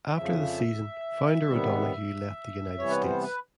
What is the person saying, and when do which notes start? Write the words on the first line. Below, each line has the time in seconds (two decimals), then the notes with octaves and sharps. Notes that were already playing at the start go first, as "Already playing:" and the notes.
After the season founder O'Donoghue left the United States.
0.16 F2 C#3 F3 E5
1.47 C3 D#3 G3 B3
2.79 C3 E3 G3 B3 C#5
2.90 B4
3.00 C5
3.22 B4